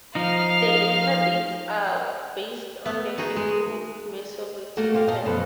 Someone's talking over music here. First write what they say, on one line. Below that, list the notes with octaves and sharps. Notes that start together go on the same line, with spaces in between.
The later dates are based on the Hebrew Masoretic text.
F3 D#4 F5 F6
B3
D#4 F#4 G#4
G#3
A3 A#3 F#4 A4
F4 G4 F5
A#2 D#5 A5
F#2 B2 F3 A4 B4